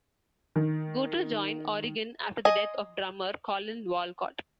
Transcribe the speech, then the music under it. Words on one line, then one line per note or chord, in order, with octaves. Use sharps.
Gurtu joined Oregon after the death of drummer Collin Walcott.
D#3
D#5 G#5